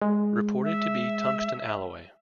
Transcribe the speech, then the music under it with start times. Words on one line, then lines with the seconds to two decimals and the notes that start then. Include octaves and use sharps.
Reported to be tungsten alloy.
0.02 G#3
0.63 E5